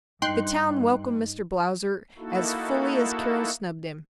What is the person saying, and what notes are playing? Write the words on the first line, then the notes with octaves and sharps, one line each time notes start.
The town welcomed Mr. Blausser as fully as Carol snubbed him.
G2 D#4 G5 C6 F#6
A#3 D#4 E4 F#4 A4